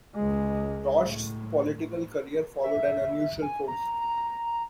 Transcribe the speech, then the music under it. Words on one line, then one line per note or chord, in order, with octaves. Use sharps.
Roch's political career followed an unusual course.
C#2 G#3
A2
E5
G#5
A#5
A#5